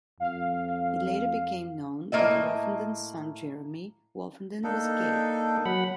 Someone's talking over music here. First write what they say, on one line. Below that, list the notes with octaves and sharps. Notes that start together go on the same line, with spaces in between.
It later became known that Wolfenden's son Jeremy Wolfenden was gay.
F2 F5
A2 A#3 D#5 E5
A#3 D4 D#4 A4
F#3 F#5 B5